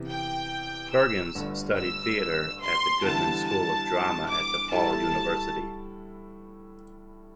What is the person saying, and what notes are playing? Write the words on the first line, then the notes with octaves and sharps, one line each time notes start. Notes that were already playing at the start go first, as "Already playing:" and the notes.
Firgens studied theatre at the Goodman School of Drama at DePaul University.
Already playing: E2 C3 E3
G5
E6
G1 G2 D3 A3
E6
C6
E2 D3 G3 E4 A5
A5
D6
A2 G3 E4 A4 A5